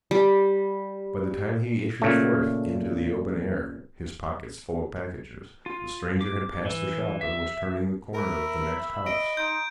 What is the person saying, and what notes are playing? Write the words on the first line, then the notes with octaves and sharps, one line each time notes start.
By the time he issued forth into the open air, his pockets full of packages, the stranger had passed the shop and was turning the corner of the next house.
G3
A#2 C#3 A3
F4
D6
E3
E5
A#4 E5 B5
D#5 D7
D#4 C6 G6 D7